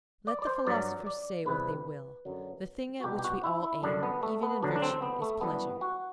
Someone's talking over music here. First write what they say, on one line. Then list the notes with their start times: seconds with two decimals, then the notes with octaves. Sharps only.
Let the philosophers say what they will, the thing at which we all aim, even in virtue is pleasure.
0.27 D5
0.42 D5
0.47 C5
0.67 G2 F#3 D5
1.06 D5
1.46 E2 C3 G3 B4
2.25 F#2 D3 F#3
3.00 F#4
3.04 C2 B2 G3 G4
3.19 G4
3.24 F#4
3.44 E4
3.63 E4
3.83 F#2 D3 G3 D4
4.03 B3
4.23 A3
4.43 B3
4.63 D2 D3 F#3 D4
4.76 D4
4.82 C4
5.02 B3
5.22 A3
5.41 F#2 E3 G3 B3
5.81 F#4